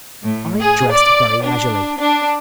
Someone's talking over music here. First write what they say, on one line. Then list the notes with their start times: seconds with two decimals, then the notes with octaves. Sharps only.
I dressed very leisurely.
0.21 A2
0.60 G#4
0.92 D5
1.43 D4
1.97 D4